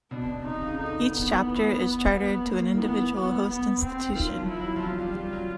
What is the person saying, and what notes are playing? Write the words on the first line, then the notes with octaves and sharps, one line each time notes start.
Each chapter is chartered to an individual host institution.
B2 D4
B2
C3 D#4
C#3
D3 D#4
D#3 B3
E3
B3
A#3
D#3
E3 B3
B3
B3
C4
D#3 F4
F#3
F3
E4
F#3
F3
F#3 F4
G3
G3
F#3